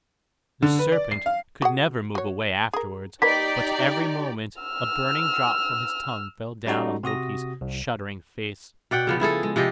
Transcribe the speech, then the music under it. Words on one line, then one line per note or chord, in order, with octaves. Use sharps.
The serpent could never move away afterwards; but every moment a burning drop from his tongue fell down on Loki's shuddering face.
D3
B4
D5
C7
F5
F#4 G#4 F#5
F#4 C#5
G#4 A#4
A#3 D#4 G4 A#4 B4 D5 B6
E6 F6
G3 C#4 D#4 F#4 A4
C3 F#4 D#6 A#6
C2
B2 D5 F#5 G5
C#3 F3 B3
F3 E4 G#4 A4
G#3
C3 F3 G4 D#5